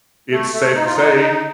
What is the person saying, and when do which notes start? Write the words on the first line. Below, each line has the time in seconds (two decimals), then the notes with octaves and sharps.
it's safe to say,
0.31 A3
0.53 A3
0.75 D#4
0.86 F4
0.95 D#4